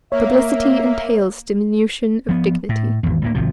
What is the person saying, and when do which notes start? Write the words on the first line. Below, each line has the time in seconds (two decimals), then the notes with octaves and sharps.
Publicity entails diminution of dignity.
0.12 A#3 C#5 E5
2.29 F3 B3
2.69 A2
3.03 G#1 E2
3.22 D2 A2 A#3
3.35 G#1 C3 F3